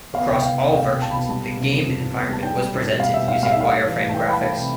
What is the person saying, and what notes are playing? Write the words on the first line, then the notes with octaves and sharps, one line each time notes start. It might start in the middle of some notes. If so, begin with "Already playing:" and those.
Across all versions, the game environment was presented using wire frame graphics.
B3 F5
C2 G5
C2 F5
B3
C2 F5
B2 G5
C2 A5
B2 B5
G3 A5
B3
C3
F2
B3
F2
B3
G3 A5
D4 G5
G3
B2
D4
G3 F5
B2 E5
D4 F5
G3 F5
E5
D4 F5
D4
E3
A3
A5
E3 G5
A3 A5 B5
E3
C3 G5